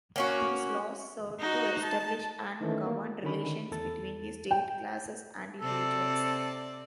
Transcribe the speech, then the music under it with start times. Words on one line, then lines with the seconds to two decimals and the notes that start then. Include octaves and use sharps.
These laws served to establish and govern relations between the state, classes, and individuals.
0.16 A#3 C#4 F#4
1.40 D#4 F#4
1.83 A5
2.61 D#3 E3 A3 C#4
2.87 A#3
3.23 D3 D#3 C#4 B5
3.71 E2 A4 A6
4.51 G5
5.61 C3 C4 A4 D5